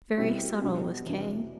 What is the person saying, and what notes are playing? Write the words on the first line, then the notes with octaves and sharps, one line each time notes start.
Very subtle was Kay.
B2 G3 C4 E4
B2 G3 D4 F#4
E2 C3 F#3 B3 D4